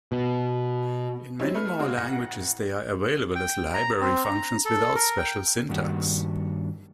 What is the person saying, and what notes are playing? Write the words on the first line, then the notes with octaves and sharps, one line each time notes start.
In many more languages, they are available as library functions without special syntax.
B2
F#3 G3 C4 C#4 D#4 E4
A3 B4 F6
C#3 G#3 F#4
A1 F#5 A#6
G5
A#5
C4
A#5
A4
A#4
G5
G2 D#3 A#3 D4 F#4 G4